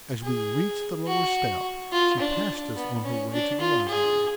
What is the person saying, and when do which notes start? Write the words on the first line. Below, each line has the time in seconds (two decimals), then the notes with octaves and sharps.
As we reached the lower step, she passed us on her way to the library.
0.23 G#4
1.07 F#4
1.92 F4
2.19 D4
2.76 B3
3.04 C#4
3.32 D4
3.61 F4
3.88 G#4